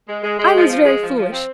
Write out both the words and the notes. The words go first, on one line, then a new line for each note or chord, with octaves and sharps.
I was very foolish.
G#3
G#3
G#3
F3
F3
G#3
F3
F3
C4